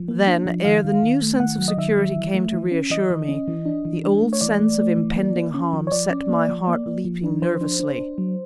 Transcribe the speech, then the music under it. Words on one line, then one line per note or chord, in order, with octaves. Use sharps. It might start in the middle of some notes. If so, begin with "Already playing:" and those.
Then, ere the new sense of security came to reassure me, the old sense of impending harm set my heart leaping nervously.
Already playing: F3
A#3
D4
F3
D#3 F5
D#3
D#3
A3
D#3 F#5
F#3
D#5
D#3 E5
F#3
E3
A3
E3
C#4
E3 D#5
E3
C#4
E3
D4
E3
D4
A3
C#5
E3 D5
A3
A3
E3
A#3
A#3
C#4
F3
C#5
F3 D5
C#4
A#3
F3
A#3
A#3
F3
D4
F3 C5
D4
D4
D4
F#3